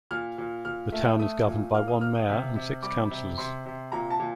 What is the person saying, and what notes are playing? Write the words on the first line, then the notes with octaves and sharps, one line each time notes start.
The town is governed by one mayor and six councillors.
A#2 F6
A#2
A#2 F6
A3
A3 D#6
A#2
A#3 F6
D#6
A#3 F6
D#6
C3
C3
G3 D6
C3
C3 C6
C3
A#2 A#5
A5
A#2